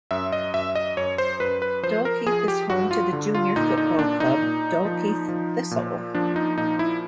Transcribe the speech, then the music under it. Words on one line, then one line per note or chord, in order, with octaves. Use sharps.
Dalkeith is home to the junior football club Dalkeith Thistle.
F#2 E5
D#5
F#2 E5
D#5
F#2 C#5
C5
F#2 B4
B4
F3 C5
A#4
F3 G#4
G4
G2 F#4
F4
D3
F4
A#2 D#4
D#4
A#2 D4
D#4
A#2
F3
F3
A#2
F3 D4
D#4
A#2 D#4
E4